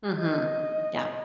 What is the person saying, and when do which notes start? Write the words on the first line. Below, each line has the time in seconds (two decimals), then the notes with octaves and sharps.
Mhm, yep.
0.17 D#5